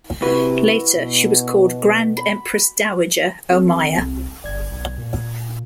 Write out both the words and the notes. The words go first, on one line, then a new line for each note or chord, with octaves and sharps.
Later, she was called Grand Empress Dowager Omiya.
C3 E4 F#4 B4
B2
B5
C4 A4
C2
G1 D5 G#6
B1
A#2